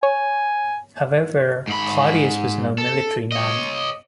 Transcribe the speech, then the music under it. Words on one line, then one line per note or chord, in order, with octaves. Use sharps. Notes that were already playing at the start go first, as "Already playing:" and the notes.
However, Claudius was no military man.
C#5 G#5
G#2 B5
A4
C#5 D#5